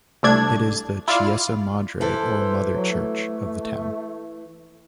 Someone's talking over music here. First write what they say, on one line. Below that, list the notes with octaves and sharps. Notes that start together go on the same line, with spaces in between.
It is the "Chiesa Madre" or Mother Church of the town.
C2 A3 D4 G#6
E4 F4 D5 F5
E3 A4 C5
F#3
A3